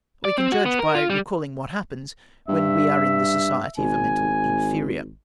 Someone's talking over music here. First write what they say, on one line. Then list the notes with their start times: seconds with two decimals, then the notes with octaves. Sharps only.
We can judge by recalling what happens when we are in the society of a mental inferior.
0.25 D5
0.38 C4
0.52 F#4
0.66 B3
0.79 A#4
0.95 F4
1.10 G3
2.48 G2 E5
3.78 G#1 G#5